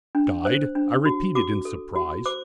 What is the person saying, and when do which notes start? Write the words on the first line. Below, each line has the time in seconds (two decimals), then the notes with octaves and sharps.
"Died?" I repeated, in surprise.
0.15 D4
0.45 C5
0.75 D4
1.05 F#4
1.35 F#4 D6
1.65 A4
1.96 F#4
2.25 C5 D6